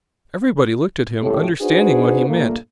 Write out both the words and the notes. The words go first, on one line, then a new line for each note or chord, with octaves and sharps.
Everybody looked at him, understanding what he meant.
F2 A2 C#3 G#3 G4 A4
D4 D#4 F#4 G#4 B4 C5
G2 A#2 A3 A#3